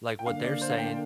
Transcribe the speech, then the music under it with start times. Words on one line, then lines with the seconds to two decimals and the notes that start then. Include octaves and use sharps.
like what they're saying,
0.19 G5
0.26 D3 A#3 D4 F5
0.44 D5
0.61 C5
0.70 F5
0.78 G5
0.87 F5